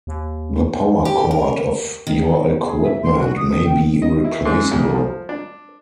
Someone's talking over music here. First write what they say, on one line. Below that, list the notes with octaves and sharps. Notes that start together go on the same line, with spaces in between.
The power cord of your equipment may be replaceable.
D#2
G4
A#4
D#3
G#4
E5
C6
F#4
D#6
G5
D#5
E4
G#2
E2
F3
D4